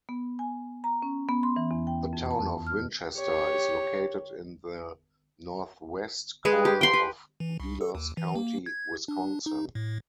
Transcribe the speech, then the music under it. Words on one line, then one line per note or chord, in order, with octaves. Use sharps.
The town of Winchester is located in the northwest corner of Vilas County, Wisconsin.
B3
G#5
A#5
C#4
B3
C6
E3
E2
G5
F2
A5
F6
G4 C#5
G#3 G#4 B4
G4
G5 C6
B4
E3
C2
A4
D#2
E3
A#3
G#6
D4
D#4
A2